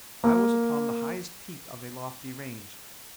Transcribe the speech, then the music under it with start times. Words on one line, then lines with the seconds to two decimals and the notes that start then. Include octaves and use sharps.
I was upon the highest peak of a lofty range.
0.24 A#3